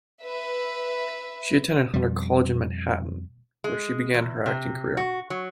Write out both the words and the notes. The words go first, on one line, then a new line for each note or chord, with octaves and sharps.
She attended Hunter College in Manhattan, where she began her acting career.
B4 E5
F2 B2 G3
G#3
E2
C3
F#4
F#3